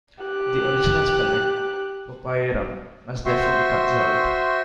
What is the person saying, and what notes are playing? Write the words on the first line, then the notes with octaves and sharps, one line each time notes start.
The original spelling, "popeiorum", must therefore be conserved.
G4 F#6
F#4 C5 E5 G5 C6 C#6